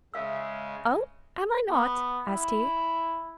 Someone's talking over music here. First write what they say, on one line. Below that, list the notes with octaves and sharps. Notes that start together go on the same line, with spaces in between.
'Oh, am I not?' asked he.
C#3 G#3 E5 F5 E6
B3
E4